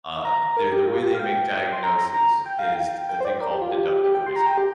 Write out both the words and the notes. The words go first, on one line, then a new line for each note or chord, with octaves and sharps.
uh, they're the way they make diagnosis is a thing called deductive reasoning.
A#5
A#5
A#4
G4
F4
G4
F5
G5
C6
A#5
A#5
A#5
G5
F5
G5
G5
C5
D5
A#4
G4
F4
G4
G4
G5
C6
A#5
G5
G4